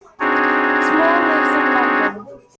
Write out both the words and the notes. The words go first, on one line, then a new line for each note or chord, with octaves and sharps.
Small lives in London.
C4 D4 D#4 F#4 G#4 C#5